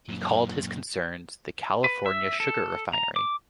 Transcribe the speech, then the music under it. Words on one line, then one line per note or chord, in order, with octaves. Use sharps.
He called his concerns the "California Sugar Refinery".
F#2 A#2
B4
E5
A4
A#5
D6